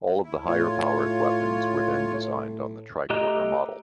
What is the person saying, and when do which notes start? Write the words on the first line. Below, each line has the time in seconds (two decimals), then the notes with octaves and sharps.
All of the higher-powered weapons were then designed on the tricorder model.
0.24 E4
0.47 A2 F4 C#5
3.10 A3 G4 D#5 A#5 F#6